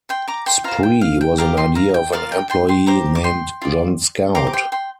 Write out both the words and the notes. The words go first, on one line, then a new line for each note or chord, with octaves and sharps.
Spree was an idea of an employee named John Scout.
G5 C6
A#5 D6
G5 C6
F4 C5 F5 A#5
G5
F5
G5
G4 A#4 D5 F5 A#5
G5 C6
F5 A#5
G5
F4 A#4 D5 F5
G5
G5 C6
G5 C6
G4 C5 A#5 D6
D6
G5 C6
F4 A#4 D5
G4 C5 A#5 D6
D6
G5 C6
G5 C6